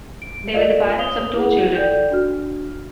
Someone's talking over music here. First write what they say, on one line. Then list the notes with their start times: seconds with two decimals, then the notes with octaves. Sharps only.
They were the parents of two children.
0.22 D7
0.53 F4 A4 A#4 D5 D#5 F5
0.98 C#5 F5 D#6 F7 G7
1.35 E4 G#4 F#5
1.75 A4 D5 G5 G6
2.11 D4 F#4 F6